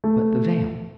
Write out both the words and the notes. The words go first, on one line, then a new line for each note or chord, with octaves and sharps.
"But the veil?"
A3